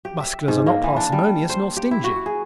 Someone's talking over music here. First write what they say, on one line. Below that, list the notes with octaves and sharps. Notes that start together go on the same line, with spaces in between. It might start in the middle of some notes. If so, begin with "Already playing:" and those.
Musculars are not parsimonious nor stingy.
G4
E5
G#2
A#3
E3
D4
G3
C5
G4
E4
F#4
G#4